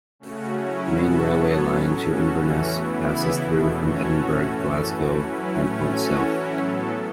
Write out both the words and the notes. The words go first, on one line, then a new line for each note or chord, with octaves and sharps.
The main railway line to Inverness passes through from Edinburgh, Glasgow and points south.
C#3 A3 C#4 F#4
F#3 C#4 E4
B2 B3 F#4 A4
F#3 B3 A4 C#5
A2 F#3 C#4
C#3 E3 C#4 F#4 A4
E2 E3 A3 C#4 F#4
E3 B3 E4
C#3 E3 B3 E4
E2 B2 A3
E3 C#4 F#4 A4 C#5
A2 A3 C#4 F#4
F#2 E3 C#4 A4
E3 A3 F#4
F#3 C#4 E4 B4
A2 A3 C#4
E3 C#4 F#4 A4 C#5
F#3 C#4 E4
A2 F#3 B3 A4